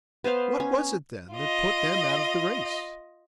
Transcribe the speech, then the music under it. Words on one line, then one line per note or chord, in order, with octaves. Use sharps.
What was it then, that put them out of the race?
B3 B4 C5 F5
C#4
F4 D#5